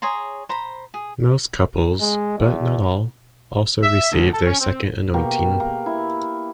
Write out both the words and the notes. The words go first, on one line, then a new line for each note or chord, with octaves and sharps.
Most couples, but not all, also received their Second Anointing.
G#4 C#5 A#5 C6
C5 A#5 B5
G#4
G#3
E2
E5
D2
A4
C#4
C4
B2 A#3 G4
A#3
E4